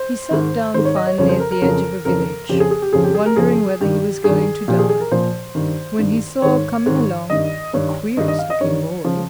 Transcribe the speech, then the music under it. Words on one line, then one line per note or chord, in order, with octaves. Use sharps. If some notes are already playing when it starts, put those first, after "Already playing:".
He sat down finally at the edge of a village, wondering whether he was going to die, when he saw coming along the queerest-looking boy.
Already playing: C5
G#2 D#3
G#2 D#3 C5
C#5
D#5
C#5
F2 C#3 F3 C#5
C5
A#4
A#4
F2 C#3 F3 A#4
F2 C#3 F3 A#4
F2 C#3 F3 G4
G#4
G#4
G4
F2 C#3 F3 G#4
G4
G#4
A#4
F2 C#3 F3 G#4
G2 D#3 G4
G2 D#3 G#4
A#2 F3 G4
G#4
G#4
A#4
A#2 F3 C5
G2 D#3
G2 D#3
G#2 D#3 C#5
G#2 D#3
G2 D#3 D#5
G2 D#3 C#5
G2 D#3 D#5
D#5
F5
D#5
G2 D#3 C#5
C#3 F3